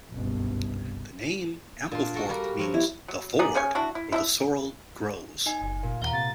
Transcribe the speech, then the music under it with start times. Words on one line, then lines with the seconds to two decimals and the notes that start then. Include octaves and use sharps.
The name Ampleforth means the ford where the sorrel grows.
0.12 F#1 C2 G2 B2
1.92 A#2 D4 C6
2.14 F#4 A4 A#4
2.29 G3 A#3 F#4 A#4
2.59 F3 C4 A#4 C#5
2.74 E4
3.08 F#3
3.39 B3 D#4 G#4 D5
3.55 C#3 C#4 C#5 G#5
3.75 D4 E4 F#4
3.95 E4
4.12 E4 A4 E5
5.46 D#4 D#5 G#5
5.62 F#1
5.83 A#2
6.02 D#2 F5 F#5 A#5 G7
6.13 C3 A6